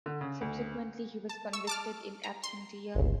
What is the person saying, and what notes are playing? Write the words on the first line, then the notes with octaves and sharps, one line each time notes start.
Subsequently, he was convicted "in absentia".
D3
C#3
D2
A5
C#6 E6
A5 D6 F6
A#5
C6
G1 C#2